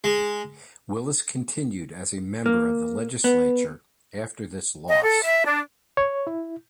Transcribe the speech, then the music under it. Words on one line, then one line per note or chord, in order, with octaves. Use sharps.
Willis continued as a member of the legislature after this loss.
G#3
A#3
B3
D#5
A4
E5
D4
C#5
E4